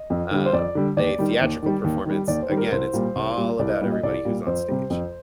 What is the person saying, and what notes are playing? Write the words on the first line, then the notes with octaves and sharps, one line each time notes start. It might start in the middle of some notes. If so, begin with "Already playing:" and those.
um, a theatrical performance, again, it's all about everybody who's on stage.
Already playing: D#5
F2
D3 G3
C5
F2 D5
D3 G3
D#2 D5
D#3 G3
D#2
D#3 G3
D#2
D#3 G3
D#2 D5
C5
D#3 G3
A#4
C2 C5
A#2 G3
C2
A#2 G3
C2 D5
D#5
A#2 G3 F5
D#5
C2 D5
A#2 G3
F2 C5
C3 G3
F2